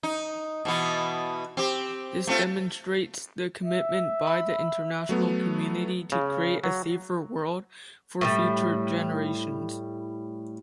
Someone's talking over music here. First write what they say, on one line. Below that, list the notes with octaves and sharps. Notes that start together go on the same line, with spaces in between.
This demonstrates the commitment by the international community to create a safer world for future generations.
D#4
B2 E3 B3
C4 G4
A3 C4 F4
E5
B5
F#3 A3 B3
C#3
F#3
A2 E3 G3